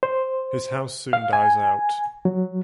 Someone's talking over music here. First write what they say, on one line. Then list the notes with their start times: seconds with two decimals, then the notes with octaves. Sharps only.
His house soon dies out.
0.03 C5
1.13 F5
1.33 G#5
2.25 F#3